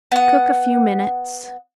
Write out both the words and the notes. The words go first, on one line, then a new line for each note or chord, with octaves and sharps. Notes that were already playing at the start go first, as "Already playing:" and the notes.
Cook a few minutes.
B3 F#5